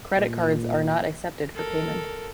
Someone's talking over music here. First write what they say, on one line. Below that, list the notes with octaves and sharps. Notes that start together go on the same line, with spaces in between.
Credit cards are not accepted for payment.
A#2
A4 A#4